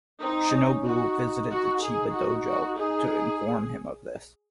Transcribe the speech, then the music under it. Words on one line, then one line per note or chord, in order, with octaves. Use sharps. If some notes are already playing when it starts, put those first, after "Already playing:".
Shinobu visited the Chiba Dojo to inform him of this.
C4 D#4
C#4
D#4 F#4
D#4 F#4
G#4
F#4
F#4
D#4 G#4